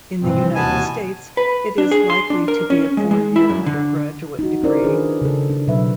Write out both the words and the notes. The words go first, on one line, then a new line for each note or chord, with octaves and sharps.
In the United States, it is likely to be a four-year undergraduate degree.
G2 C3 E3 C4
D#2 B2 B3 G#5 A5
B4
D4
G#4
C6
D4
A#4
C#4
G#3
G#3
E4
F#2
D3
D#4 F#4
C#4 D#4 E4 A#4 C5 D5
D#3 C#4 D4 F4 G#4 B4
C#3 A4
D4
B2 F#3 B4 E5